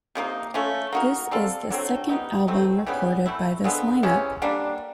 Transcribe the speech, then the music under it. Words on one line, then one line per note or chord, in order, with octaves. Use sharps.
This is the second album recorded by this line-up.
C3 F3 A#3 D#4
A3 C#4 F4
A#3 D#4 F#4 A#4
G3 C4 F4 A4
D3 F#3 A3 C4
G3 B3 D#4
B2 F#3 A3 C4
C#3 E3 G3 B3
E3 A3 C4 E4
D3 F3 G#3 B3
C3 E3 G#3 C#4
D3 G3 A#3 D4